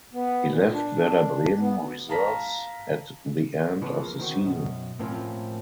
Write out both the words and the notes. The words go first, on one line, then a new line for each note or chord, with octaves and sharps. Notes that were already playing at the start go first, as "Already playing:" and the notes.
He left Werder Bremen reserves at the end of the season.
B3
A#2
D4
B3
F5 A5 A#5 B6
C#3 E3 F3 B3
A#3
D#3 C4 F#4
F#2 B2
A2 F3 A#3 C4 C#4 F4